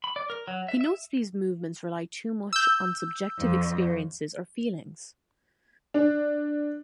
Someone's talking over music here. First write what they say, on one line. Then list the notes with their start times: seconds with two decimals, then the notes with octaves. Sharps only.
He notes these movements rely too much on subjective experiences or feelings.
0.04 B5
0.16 D5
0.30 A#4
0.48 F#3
0.68 E5
0.81 E5
2.53 E6 G6
3.39 F2
5.94 D4